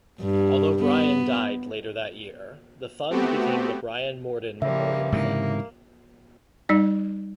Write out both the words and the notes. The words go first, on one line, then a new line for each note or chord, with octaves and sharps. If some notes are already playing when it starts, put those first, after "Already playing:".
Although Brian died later that year, the fund became the Brian Morden Memorial Fund.
G2
B3
A3 B3 C4 F#4 G4
C#3 F3 G3 A#3 E5
G#2 C3 E3 A#3
G3 D#4 D5